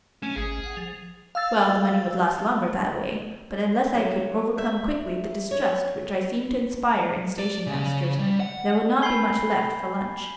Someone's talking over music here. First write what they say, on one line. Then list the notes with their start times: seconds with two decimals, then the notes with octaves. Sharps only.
Well, the money would last longer that way, but unless I could overcome quickly the distrust which I seemed to inspire in station-masters there would not be much left for lunch.
0.23 A3 C#4
0.36 G#1 G#4
0.64 F#5
0.77 F3
1.35 F5 E6 A6
3.95 F#3
4.58 E5
5.51 C#5
7.39 D5
7.67 C#3
8.19 G3
8.40 F#5
9.02 G#5 B5 G6 G#6 C7 G7